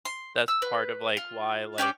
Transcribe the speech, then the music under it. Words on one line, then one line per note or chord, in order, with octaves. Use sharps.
That's part of, like, why, like,
C6
E6
B4
F4
C#4 G4 C5 D5